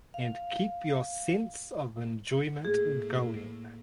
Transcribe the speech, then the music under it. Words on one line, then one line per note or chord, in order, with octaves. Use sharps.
And keep your sense of enjoyment going.
F5
A2 A3 A#3 G#4